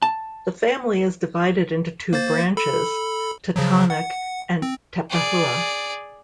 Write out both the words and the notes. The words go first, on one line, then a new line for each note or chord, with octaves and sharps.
The family is divided into two branches, Totonac and Tepehua.
A5
A#3 C5 A6
A4 B5
C#3 F3 F#3
F#5
C4
G#4 D5